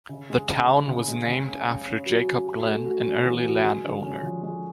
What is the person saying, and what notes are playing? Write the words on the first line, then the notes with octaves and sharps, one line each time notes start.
The town was named after Jacob Glen, an early landowner.
C#3
G#3
C#3
C#3
C#3
G#3
C#3
C#4
C#4
C#4
F#3
C#4
F#4
A3
F#4
C#4
E3
F#4
G#3
D3
C#4
F3
G#3